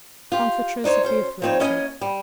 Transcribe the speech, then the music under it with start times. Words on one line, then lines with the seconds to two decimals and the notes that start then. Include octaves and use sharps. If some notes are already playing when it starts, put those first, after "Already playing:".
Comfortress of the afflicted.
0.32 F4 G4
0.84 D4 D#4 C5 C#5
1.03 D2 C#4 C5
1.42 F3 G3 C4 D#4 C#5
1.59 A#3 C#4 E4 D#5 G#5
2.01 G3